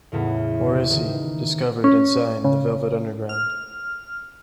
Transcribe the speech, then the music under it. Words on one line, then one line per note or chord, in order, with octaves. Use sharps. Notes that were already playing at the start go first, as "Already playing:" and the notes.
Morrissey discovered and signed the Velvet Underground.
E2 A2 C#3
D#3
C#4
C#3
F6